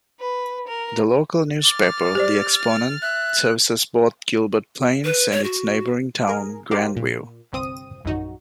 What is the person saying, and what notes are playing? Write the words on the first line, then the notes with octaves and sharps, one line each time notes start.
The local newspaper, The Exponent, services both Gilbert Plains and its neighboring town, Grandview.
B4
A#4
D6 F6 A6
G4 C5 D5
E5 F#6
B4
C#5
F#4
G#4 A#4
D#4 G4 A#4 C5 D5 F5
A#2
G1 C2 C4 D#6 D#7
A#1 F#2 D#4 F#4